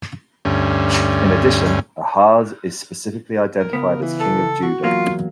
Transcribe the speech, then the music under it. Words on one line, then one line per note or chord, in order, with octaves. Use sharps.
In addition, Ahaz is specifically identified as king of Judah.
D2 G2 C#4
A#4
C#2 B3
E3
A4
F#4
E2 F#3 A#3 F4